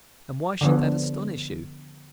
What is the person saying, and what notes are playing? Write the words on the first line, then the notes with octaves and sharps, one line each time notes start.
And why should that astonish you?
D3 F3 B3